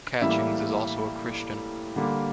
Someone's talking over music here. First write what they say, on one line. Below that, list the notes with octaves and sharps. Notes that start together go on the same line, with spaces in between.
Catchings is also a Christian.
A2 E3 G3 A#3 E5
D3 G3 A#3